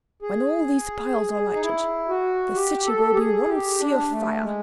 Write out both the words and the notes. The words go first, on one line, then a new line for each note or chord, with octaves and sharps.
"When all these piles are lighted, the city will be one sea of fire."
G#4
D#4
E4
F#4
G4
A4
G4
G#4
G4
D4
A3
G#3